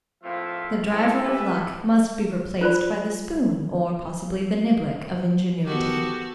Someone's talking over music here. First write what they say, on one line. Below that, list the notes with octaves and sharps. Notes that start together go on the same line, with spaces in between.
The driver of Luck must be replaced by the spoon--or, possibly, the niblick--of Ingenuity.
A2 F3 A#3 C4 F4 E5
C4 E4 A4
C#4 G4 B4 E5
F4 C5 D5 B5
B3 F#4 G4 A4